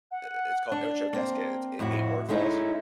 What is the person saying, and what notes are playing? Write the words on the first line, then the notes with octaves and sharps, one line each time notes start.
i i it's called Ocho Casca it's eigh eight waterfalls.
F#5
D4
A#3 C4
F2 A2 E4 F#4
G#3 A3 C#4 D#4 E4